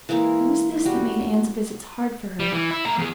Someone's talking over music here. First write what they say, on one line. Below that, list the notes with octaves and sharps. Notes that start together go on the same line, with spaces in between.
It was this that made Anne's visits hard for her.
E3 G#3 A#3 E4
G3 F#4
G3
E3
E4
A3 A#5
E2 G#4